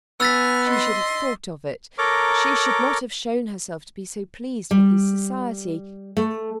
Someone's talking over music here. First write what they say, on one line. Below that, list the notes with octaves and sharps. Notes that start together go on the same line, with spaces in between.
She should have thought of it; she should not have shown herself to be so pleased with his society.
B3 G#5 E6 F6 A6 B6
D#5 C6
A4 A#4 C#5 A#5 D6
G3
A3